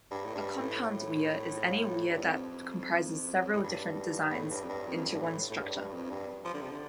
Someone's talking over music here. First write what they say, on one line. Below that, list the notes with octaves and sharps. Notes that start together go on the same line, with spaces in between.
A compound weir is any weir that comprises several different designs into one structure.
G2
A2
G2
A2
A2
G2
F2
A2
G2
G2
A2
G2
F2
G2
F2
G2
A2
A2
G2
G2
F2
G2
F3
D3
C3
D3